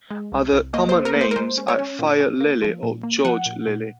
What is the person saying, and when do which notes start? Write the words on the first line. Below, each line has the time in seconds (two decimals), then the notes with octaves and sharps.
Other common names are fire lily or George lily.
0.11 G#3
0.32 C2
0.52 C2
0.74 A#3 D#5
0.89 C5
0.95 A#3
1.05 A#4
1.16 A#3
1.21 C5
1.31 A#4
1.36 G#3 C5
1.57 C#4
1.68 C#5
1.79 C#4
1.99 A#2
2.20 C#4
2.40 A#3
2.62 F3
2.83 A#2
3.03 A#3
3.25 F3 F#5
3.46 A#2
3.67 A#2